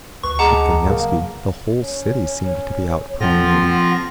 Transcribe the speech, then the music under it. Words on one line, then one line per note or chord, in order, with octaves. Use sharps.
Up the Nevsky the whole city seemed to be out promenading.
D2 B4 C#6
G#3 F#5 A5 A#5 D6
C#3 F#3 A#3
C#4 C#5
A#2 F3 C4 F4 A4 F#5 A#6